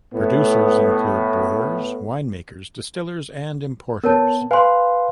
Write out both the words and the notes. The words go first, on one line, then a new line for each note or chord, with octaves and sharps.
Producers include brewers, wine makers, distillers and importers.
A2 B3
B3 A#4 C#5 A5
B4 F5 G#5 C6